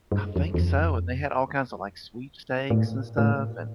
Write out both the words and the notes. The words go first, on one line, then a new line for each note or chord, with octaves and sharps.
I think so, and they had all kinds of, like, sweepstakes and stuff and,
G2
F2
E2
F2
A2
A2